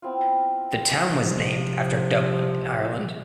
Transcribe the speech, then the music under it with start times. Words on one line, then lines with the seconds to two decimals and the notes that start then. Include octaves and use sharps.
The town was named after Dublin in Ireland.
0.02 B3 C4 E4 F4
1.09 C3 F3